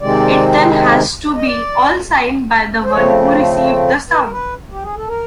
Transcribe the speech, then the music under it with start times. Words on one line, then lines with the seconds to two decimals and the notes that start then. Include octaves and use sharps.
It then has to be all signed by the one who received the sum.
0.01 C3 D#3 G#3 C4 D5
1.35 D#5
1.46 D5
2.84 C5
2.90 C#3 F3 A3 C4 C#5
3.63 C#5
3.88 C5
4.11 B4
4.21 A#4
4.31 B4
4.71 G4
4.83 G#4
4.96 A4
5.08 A#4